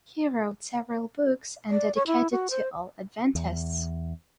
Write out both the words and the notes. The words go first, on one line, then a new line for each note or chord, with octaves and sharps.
He wrote several Books and dedicated to all Adventists.
D5
C#5
E4
F#4
C5
E2